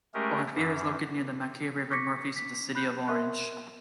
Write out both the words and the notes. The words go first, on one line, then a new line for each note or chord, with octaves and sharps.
Ophir is located near the Macquarie River northeast of the city of Orange.
G#3 A3 C#4 G4 G#4 A#4
F#2 E3
C#6 D6 A#6 B6 C#7
B6
B5 F#6 G6
A#4 E5 C6 F#6